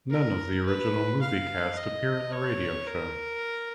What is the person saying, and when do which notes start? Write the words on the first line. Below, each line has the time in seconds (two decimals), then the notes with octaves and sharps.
None of the original movie cast appear in the radio show.
0.10 A#4
0.66 B4
1.21 F5
1.77 D#5
2.32 C#5
2.87 A#4